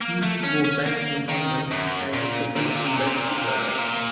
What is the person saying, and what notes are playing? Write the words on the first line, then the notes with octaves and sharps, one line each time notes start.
Things go back to normal as the couple embrace each other.
A#3
A3
C#4
C#4
A#3
D#3
F#2
A#2
A#2
C3
A#2
C3
A#2
C3
A#2
C3
A#2
C3
A#2
C3
A#2